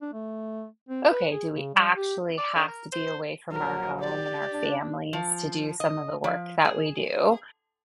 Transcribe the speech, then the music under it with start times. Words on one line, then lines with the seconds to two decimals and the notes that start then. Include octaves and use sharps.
okay, do we actually have to be away from our home and our families to do some of the work that we do?
0.01 D4
0.13 A3
0.89 C4
1.10 B4
1.32 G#4
1.54 C#3
1.74 G3
1.95 G4
2.38 D5
2.55 D3
2.68 A#4
2.92 C5
3.52 A#1 F#3 A#4
4.01 G4 D5
4.53 D4
5.13 F3
5.80 D#5
6.24 F3
6.65 G#4